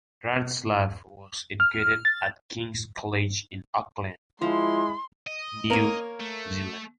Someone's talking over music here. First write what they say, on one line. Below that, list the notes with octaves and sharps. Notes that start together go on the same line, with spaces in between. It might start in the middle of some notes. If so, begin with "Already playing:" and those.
Retzlaff was educated at King's College in Auckland, New Zealand.
F6
A6
F3 G#3 E4 C6
D#5
A#3 A#4 C#5
A3